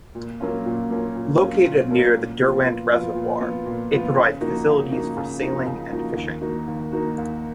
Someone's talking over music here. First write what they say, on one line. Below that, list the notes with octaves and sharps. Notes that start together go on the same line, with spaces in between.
Located near the Derwent Reservoir, it provides facilities for sailing and fishing.
A#2
F#3 A#3 C#4 F4
A#2
F#3 A#3 C#4 F4
A#2
F#3 A#3 C#4 F4
A#2
F#3 A#3 C#4 F4
A#2
F3 B3 F4
A#2
F3 B3 F4
A#2
F3 B3 F4
A#2
F3 B3 F4
C#3
F3 A#3 D#4 F#4
C#3
F3 A#3 D#4 F#4
C#3
F3 A#3 D#4 F#4
C#3
F3 A#3 D#4 F#4
D#2
D#3 A#3 D#4 F#4
D#2
D#3 A#3 D#4 F#4
D#2